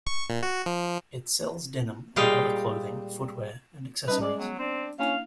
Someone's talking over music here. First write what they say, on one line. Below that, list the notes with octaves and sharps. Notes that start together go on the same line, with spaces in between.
It sells denim, and other clothing, footwear, and accessories.
C#6
A#2
F#4
F3
A#2 G3 G#3 D#5 F5 G5
G3 C#4 D#4 B4
G#3 D5
F#3 B3
C4 D4
A#3 C#4 D4 E4 F5